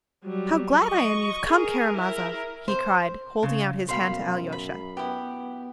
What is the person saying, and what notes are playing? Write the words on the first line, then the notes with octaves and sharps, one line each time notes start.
"How glad I am you've come, Karamazov!" he cried, holding out his hand to Alyosha.
F#3 G3
D#5 C#6
G#4 A#4
E4 A#4
C5
C#3
F#2 B2 C5 F5 B5
B5
B3 E4 G4